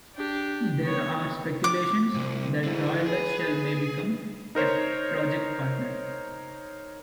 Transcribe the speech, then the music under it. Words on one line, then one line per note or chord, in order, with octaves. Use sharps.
There are speculations that Royal Dutch Shell may become a project partner.
D4 G4
B3 C#5
D6
C2 G#2 C4
G#2 D3 E4
G#4 B4
D#4 A#4 C5 C#5